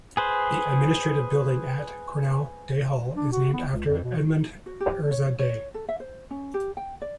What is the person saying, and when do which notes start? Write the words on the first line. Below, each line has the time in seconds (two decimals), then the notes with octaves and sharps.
The administrative building at Cornell, Day Hall, is named after Edmund Ezra Day.
0.17 G#4 B4 C5
3.15 D4
3.32 F#4
3.53 B3
3.71 C#2
3.86 F2
4.03 B2
4.66 F#4
4.80 G4
5.11 C#5
5.39 C#5
5.74 A4
5.88 E5
6.00 C5
6.31 C#4
6.54 G4
6.77 G5
7.02 D5